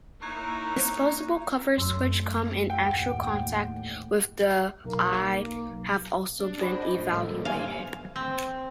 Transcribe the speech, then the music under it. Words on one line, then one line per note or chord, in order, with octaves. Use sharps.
Disposable covers, which come in actual contact with the eye, have also been evaluated.
A#3 D#4 E4 C#5 A#5 C#6 F#6 G#6
F#2 A3 C6 E6
D#2 A2 F#5 G5
B1 A#3
D4
G#3 F#4 C5 B5
D#5
A2
G3 A#3 A4
G3 B3 D4 F4 C5 F5 G#5
C4